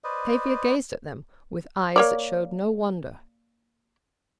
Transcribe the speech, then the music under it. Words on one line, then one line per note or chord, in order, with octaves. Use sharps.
Tavia gazed at them with eyes that showed no wonder.
B4 C5 D5 D#5
A#3 C#5 D5